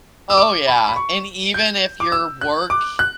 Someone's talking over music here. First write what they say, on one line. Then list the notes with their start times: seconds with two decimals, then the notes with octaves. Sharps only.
Oh, yeah, and even if your work
0.30 E6
0.38 D6
0.68 B5
0.88 B5
0.96 C#6
1.54 G6
2.00 D6
2.12 E6
2.41 F#6
2.70 D6
2.99 F#6